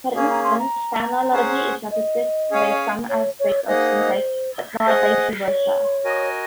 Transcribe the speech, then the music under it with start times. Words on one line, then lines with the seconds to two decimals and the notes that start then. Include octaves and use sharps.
For instance, phonology is affected by some aspects of syntax, but not vice versa.
0.15 A#3 C#4 G#4 G#5
0.30 A#5
0.44 C6
0.60 A#5
1.32 C#4 G#4 C5 F#5
1.92 D#5
2.51 C#4 G#4 C#5 F5 G#5
3.09 C#5
3.40 C#5
3.68 A#3 D#4 G#4 C5 D#5 F#5
4.86 G#4 C5 D#5 F#5
5.46 C#5
6.04 F#4 A#4 D#5 G#5